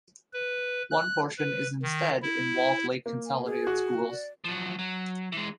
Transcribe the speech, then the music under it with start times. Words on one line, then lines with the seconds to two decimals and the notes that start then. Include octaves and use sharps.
One portion is instead in Walled Lake Consolidated Schools.
0.33 B4
0.90 F#6
1.38 B4
1.82 D#3
2.22 E4
3.06 A#3
3.26 G#5
3.44 G#4
3.67 F#4
4.09 D5
4.44 F3 F#3
4.79 F#3
5.32 E3 G#3